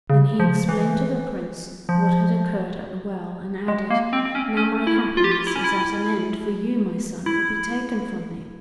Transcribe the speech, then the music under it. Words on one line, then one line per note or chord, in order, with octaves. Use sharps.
Then he explained to the Prince what had occurred at the well, and added, "Now my happiness is at an end, for you, my son, will be taken from me."
C#3
F3
E3
F3
G#3
A#3
C4
C4
C#4
C#4
E4
F4
G4
F4
E4
C#4
E4
E4